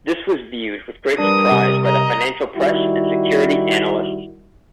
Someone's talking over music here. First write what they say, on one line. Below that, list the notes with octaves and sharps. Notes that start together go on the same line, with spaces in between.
This was viewed with great surprise by the financial press and security analysts.
G3 D4 A#4 B4 D#6
C3
D#5 A#5
D#3 G3 E4 F#4